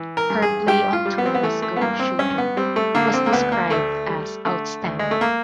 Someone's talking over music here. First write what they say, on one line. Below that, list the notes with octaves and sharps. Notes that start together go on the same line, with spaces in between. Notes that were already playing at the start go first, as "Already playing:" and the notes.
Her play on tour as goal shooter was described as "outstanding".
Already playing: E3
A#4
G2
G#4
G2 G4
F4
G3
B3
C4
B3
E3 A3
A3
B3
G2 A#3
C4
G2 C#4
B3
G3 C4
A3
D3 A#3
C4
A#3
D2 B3
A#3
D2 A3
G3
D3 A3
D2
G#3
A3
A#3